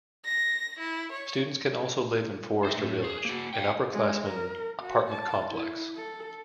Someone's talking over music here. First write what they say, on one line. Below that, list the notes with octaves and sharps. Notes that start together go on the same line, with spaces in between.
Students can also live in Forester Village, an upper class-man apartment complex.
A#6
E4
C#5
C5 E5
A2
G#4
A#3 F#4
F5 G5
G#3
A#4
F#4
A5
E4
A4